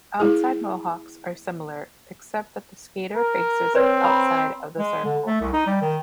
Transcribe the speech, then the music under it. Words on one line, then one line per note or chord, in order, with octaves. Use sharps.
Outside mohawks are similar, except that the skater faces outside of the circle.
G#3 E4 G#4
A#4
C4 B4 C#5 D5
A#5 B5
G#3
D3
A3
C2
D#4
G3
D#3